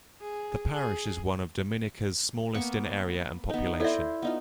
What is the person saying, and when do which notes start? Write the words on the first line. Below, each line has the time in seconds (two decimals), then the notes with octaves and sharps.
The parish is one of Dominica's smallest in area and population.
0.21 G#4
0.74 G#4
2.54 A#3 B3 C#6
3.49 B3 D#4
3.80 E4 A4 C5 D5 E5
4.22 B3 D#4 F4